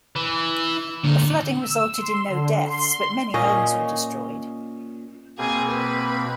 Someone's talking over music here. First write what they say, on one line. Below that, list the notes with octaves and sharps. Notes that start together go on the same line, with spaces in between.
The flooding resulted in no deaths but many homes were destroyed.
E3
A#2 D3 D#4
E6
C6
D3
C6
A#2 C#4 D#5
B2 A#3 C4 G#4 G#5
B4 B5